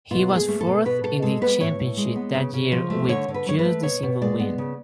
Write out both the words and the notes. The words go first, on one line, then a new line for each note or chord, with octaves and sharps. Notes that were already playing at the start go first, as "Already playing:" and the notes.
He was fourth in the championship that year with just the single win.
B2 F4
A3
G#4
A3
A4
B2
B2 B4
B2 A4
G#3 A4
B3 B4
A2 C#5
A2
G#3
B3
C#3
C#3
F3
A3
D3 C#5
D3
B4
F#3 C#5
B4
A3
B2 C#5
B2
G#3 D5
B3
C#3